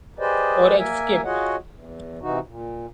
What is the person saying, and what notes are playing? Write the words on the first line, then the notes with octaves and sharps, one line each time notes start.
Or escape?
G4 G#4 B4 C5 D5 D#5
A#3 A#4 E5 G#5
F4 F#4 G#4 C#5 D#5 F#5
E2
C3 E3 D#4 F#4
A#2